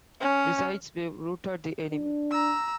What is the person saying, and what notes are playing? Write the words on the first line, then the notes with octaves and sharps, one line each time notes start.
Besides, we've routed the enemy.
C#4
D4
A#5 E6